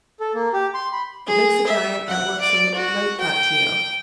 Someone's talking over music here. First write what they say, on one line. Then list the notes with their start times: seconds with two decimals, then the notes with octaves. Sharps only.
"What makes the giant at work so late?" thought Tito.
0.20 A4
0.35 A#3
0.53 G4
0.74 C6
0.92 B5
1.27 G#4
1.67 E5
2.08 F#5
2.40 D5
2.74 F#4
3.20 G5